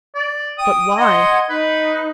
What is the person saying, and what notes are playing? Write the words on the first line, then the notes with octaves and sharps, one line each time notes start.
But why?
D5
G5 D#6
D#5 F#5 C6 G#6
D#4 B4